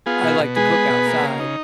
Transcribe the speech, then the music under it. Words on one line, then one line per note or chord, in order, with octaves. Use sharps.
I like to cook outside
B3 F4 G#4
B2
B2
G#3 G#4 B4
B3
B2
A#3
C#3
D#4